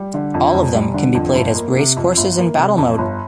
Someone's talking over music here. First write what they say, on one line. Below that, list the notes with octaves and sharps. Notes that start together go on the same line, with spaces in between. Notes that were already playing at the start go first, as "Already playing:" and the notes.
All of them can be played as race courses in Battle Mode.
Already playing: G3
D3
F2
F1
G3
D3
F2
G1
A#3
C3
F2
G1
A#3
C3
F2
G1